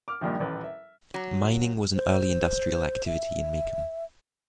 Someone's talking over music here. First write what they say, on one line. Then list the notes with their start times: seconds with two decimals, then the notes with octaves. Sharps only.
Mining was an early industrial activity in Macomb.
0.08 D6 F6
0.21 A#1 G2 A#2 D#3 F3
0.39 D#1 A1 B4
0.64 E5
1.14 F#3
1.95 C5
3.06 E5